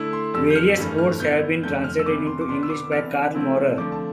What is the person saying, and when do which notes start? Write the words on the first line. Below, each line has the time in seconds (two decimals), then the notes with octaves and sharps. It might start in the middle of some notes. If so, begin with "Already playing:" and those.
Various odes have been translated into English by Karl Maurer.
Already playing: D3 A3 E4
0.13 C6
0.34 F2 D3 G3 E6
0.50 G6
0.56 F6
0.77 G2 E3 A3
0.98 F6
1.20 B2 B3 E4 G6
1.63 F2 D3 A3 G6
1.84 F6
1.99 E6
2.06 C3 E3 B3 D4 D6
2.27 C6
2.41 D6
2.49 B2 B3 D4 C6
2.63 E6
2.70 D6
2.91 C3 E3 B3 D4 F6
3.35 C3 F3 A3 C4 E4
3.78 D3 F3 A3 D4 D6
3.92 A5